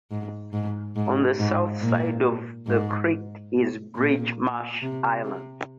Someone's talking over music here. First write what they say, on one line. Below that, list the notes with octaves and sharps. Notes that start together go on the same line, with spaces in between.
On the south side of the creek is Bridgemarsh Island.
G#2
G#2
G#2
G#2
A#2
G#2
A#2
C3
C3